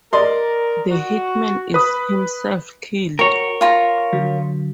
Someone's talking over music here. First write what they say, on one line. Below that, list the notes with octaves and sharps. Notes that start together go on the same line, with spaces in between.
The hitman is himself killed.
A#4 D5 D#5 C6
F#4
B4 D#6
F#4 A#4 C#5
F4 A#5
D3 F#3